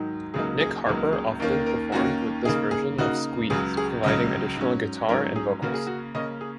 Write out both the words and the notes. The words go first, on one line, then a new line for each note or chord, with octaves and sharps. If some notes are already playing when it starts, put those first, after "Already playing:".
Nick Harper often performed with this version of Squeeze, providing additional guitar and vocals.
Already playing: G#2 D#3 F#3 D#4
C#2 C#3 F#3 A#3 D#4 G#4
G#4
C#2 C#3 F#3 A#3 D#4 G#4
G#4
D#2 D#3 A#3 C#4
A#4
D#2 D#3 A#3 C#4 F#4
C#3 A#3 D#4 G#4
G#4
C#3 A#3 D#4 F#4
C#2 C#3 F#3 G#4
G#4
C#2 C#3 F#3 D#5
G#2 F#3 C#4
G#2 F#3 C#4 A#4
G#4
C#3 A#3 C#4 F#4
G#4
F#4
C#3 A#3 C#4 D#5
G#4